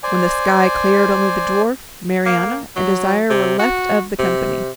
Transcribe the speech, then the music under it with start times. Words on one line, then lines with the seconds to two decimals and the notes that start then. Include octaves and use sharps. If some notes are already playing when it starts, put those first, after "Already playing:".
When the sky cleared, only the dwarf, Marianna, and Desire were left of the company.
0.03 C5 D5 G#5
2.26 A#3
2.76 F#3
3.30 C3
3.59 F#4
4.19 C3